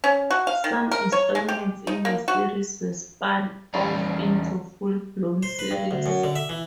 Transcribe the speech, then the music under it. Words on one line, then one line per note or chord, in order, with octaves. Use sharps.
Some installments in the series were spun off into full-blown series.
C#4
F#4
F5
D#3
A#4
C#5
G#3
G4
D#4
A#3
F#4
E2 E3 G3 C#4 D5 A#5
C5
B4
G2
D2
F#2
D3
E5
E3